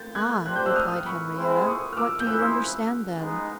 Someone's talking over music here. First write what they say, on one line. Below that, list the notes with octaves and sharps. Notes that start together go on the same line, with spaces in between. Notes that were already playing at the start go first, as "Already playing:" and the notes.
"Ah!" replied Henrietta, "what do you understand, then?"
Already playing: G6 A6
F#6 G#6
D4 G4 C5 F#6
G6
E6 F#6
D#6 F6
B5 C#6
G#3 C4 E4 G#4 C5
C#6 D#6
F6
D6 E6
G6
E4 G#4 C5 E6 F#6
G#3 B3 D#4